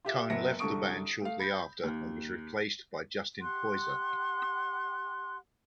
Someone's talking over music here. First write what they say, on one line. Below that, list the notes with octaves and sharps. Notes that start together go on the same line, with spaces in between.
Cone left the band shortly after and was replaced by Justin Poyser.
F4 G4 E5
F#1 B3 E5 A#6 C#7
C2 D3 A4 C#6 D#6 D7
A3 F5
B5 G6
D#2
G4 F#5 C6 F#6